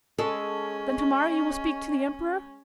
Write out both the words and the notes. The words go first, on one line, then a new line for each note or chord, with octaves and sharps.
"Then tomorrow you will speak to the Emperor?"
G#3 C#4 A4 D#5 C#6